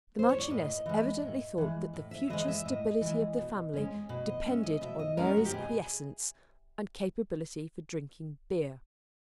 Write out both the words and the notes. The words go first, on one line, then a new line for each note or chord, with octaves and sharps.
The Marchioness evidently thought that the future stability of the family depended on Mary's quiescence and capability for drinking beer.
C5
C#5
D5
A2 D#5
E3 G#3
A2
E3 G#3
A2
E5
E3 G#3 D#5
E5
A2 D#5
E3 G#3
B2
G#3 C#4
B2
D#5
G#3 C#4 E5
D#5
B2 E5
D#5
G#3 C#4 A#4
F#4
G4
B2 G#4